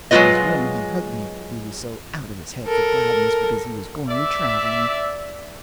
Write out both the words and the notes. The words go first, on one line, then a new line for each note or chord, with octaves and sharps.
Up in his room he hugged me, he was so out of his head for gladness because he was going traveling.
F#3 G#3 C#4 F4 B4 D#5
A4 A#4
D5 E5